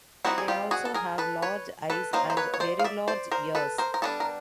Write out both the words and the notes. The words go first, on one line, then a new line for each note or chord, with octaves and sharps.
They also have large eyes and very large ears.
G3 C4 D#4 E4 F#4
G#4
F4 G4
F#4 G#4
A4
G#4 A#4
A4 B4
B4 C#5
A4 B4
F#3 A#3 D#4 A#4 C5
C5
B4 C#5
C#5
C5 D5
F5
D5 E5
C5 D5
A#4 C5
A4 B4
A#4 C5
A#4
G3 B3 D4 A4 B4
A#4